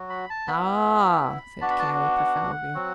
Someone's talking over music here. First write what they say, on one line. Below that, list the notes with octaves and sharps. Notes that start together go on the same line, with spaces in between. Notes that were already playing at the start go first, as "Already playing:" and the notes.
"Ah," said Carey profoundly.
Already playing: F#3 F#4
B5
A5
B3 E4 B5
B3 D4 F#4 A5
B5
A5
F#5
F#3 C4 F#4